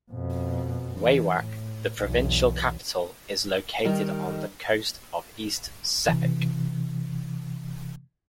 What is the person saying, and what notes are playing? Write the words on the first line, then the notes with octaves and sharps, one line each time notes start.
Wewak, the provincial capital, is located on the coast of East Sepik.
F2 B2
E3
A2
B1 E2
D#3 G3 D#4 A#4
C3 E3